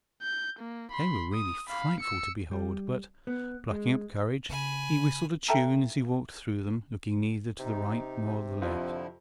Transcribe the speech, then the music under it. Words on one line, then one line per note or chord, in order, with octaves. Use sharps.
They were really frightful to behold, but, plucking up courage, he whistled a tune as he walked through them, looking neither to the right nor the left.
G6
A#3
B5 C6
D#6
F5 B5
E6 C#7
G3
B3
G#3
C#3 G#5 B5
A4 E5 G5 A5 A#5
C3 D#4
F2 D3 F3 E4